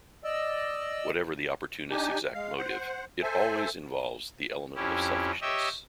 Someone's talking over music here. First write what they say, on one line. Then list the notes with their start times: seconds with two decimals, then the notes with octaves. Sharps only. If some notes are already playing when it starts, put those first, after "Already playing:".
Whatever the opportunist's exact motive, it always involves the element of selfishness.
0.24 D5 D#5 E6
1.91 D4 D#4 G4 G#5
2.34 G#3 F5
2.58 C5 F#5
3.22 A4 C5 E5 G#5
4.75 F2 C#4 E4 G4
5.41 G4 C#5 D#5 E5 G5 E6